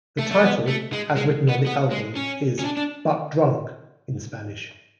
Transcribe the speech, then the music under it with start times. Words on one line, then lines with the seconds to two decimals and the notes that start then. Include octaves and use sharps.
The title, as written on the album, is "but drunk" in Spanish.
0.19 A3
0.31 A3
0.43 B3
0.68 A3
0.93 G#3
1.16 G#3
1.49 B3
1.66 B3
1.91 G#3
2.15 C#4
2.59 C#4
2.64 D4
2.77 D4